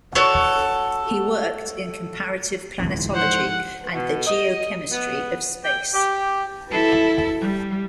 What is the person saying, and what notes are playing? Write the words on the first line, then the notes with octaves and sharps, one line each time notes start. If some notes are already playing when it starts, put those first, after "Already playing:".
He worked in comparative planetology and the geochemistry of space.
F#4 A4 C#5 D5
D#1 G#1 C#2 E3 F3 C4
G#2 C5 F#5
B2
D#5
B3
G5
G4
E4 A4
G3